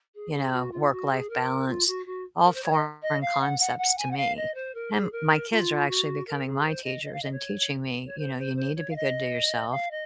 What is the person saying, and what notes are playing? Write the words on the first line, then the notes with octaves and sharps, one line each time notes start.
you know, work-life balance, all foreign concepts to me and my kids are actually becoming my teachers and teaching me, you know, "You need to be good to yourself.
G#4
G#4
F#4
F4
F#4
G#4
A#4
F4
F#4
F#4
A#4
C5
C#5
D#5
D#5
F5
F#5
F#5
F#5
G#5
F#5
F5
D#5
C5
A#4
G#4
A#4
F4
F#4
A#4
G#4
C5
D#5
D#5
F5
D#5
C#5
C#5
C5
C5
C5
C#5
F5
D#5
F5
D#5